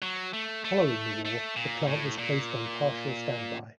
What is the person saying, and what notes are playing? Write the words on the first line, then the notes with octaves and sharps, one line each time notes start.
Following the war, the plant was placed on partial standby.
F#3
A3
A3
A3
A#2
A2
A#2